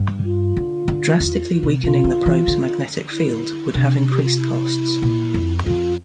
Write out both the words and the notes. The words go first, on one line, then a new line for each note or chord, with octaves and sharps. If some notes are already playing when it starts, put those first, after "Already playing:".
Drastically weakening the probe's magnetic field would have increased costs.
Already playing: G2
F4
D3
D3
E2
C3
C3 F4
D3
E3
D3
E4
C3 D4
G4
F4
E4
A#2
F2
F2 F4